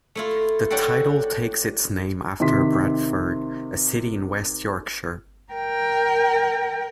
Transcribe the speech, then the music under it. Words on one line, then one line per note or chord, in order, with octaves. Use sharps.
The title takes its name after Bradford, a city in West Yorkshire.
A3 E4 F4
F#3 D4 F#4 G4 A4
C3 D#3 C6 B6
A#4 G5